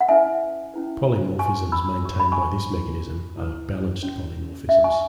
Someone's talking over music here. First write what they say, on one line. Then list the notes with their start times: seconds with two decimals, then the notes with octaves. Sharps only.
Polymorphisms maintained by this mechanism are "balanced polymorphisms".
0.01 F#5
0.09 C#4 E4 B4 E5 G#5
0.74 C#4 E4 B4
1.39 F#4 B4 G#5 C#6
1.72 B5 E6
2.05 F#4 B4 C#6
2.20 B5
2.32 G#5 C#6
2.72 E4 B4
3.37 E4 B4
4.02 C#4 F#4 C#5
4.68 C#4 F#4 C#5 E5
4.84 G#5 C#6